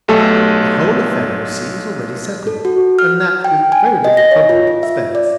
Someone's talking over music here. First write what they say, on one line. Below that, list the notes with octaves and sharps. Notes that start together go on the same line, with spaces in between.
The whole affair, you see, is already settled, and that with very little trouble or expense.
B1 A3 G4 A4
A4
F#4
F6
G5
G#5
D#5
A#6
C#5
F4
F4
E5
D5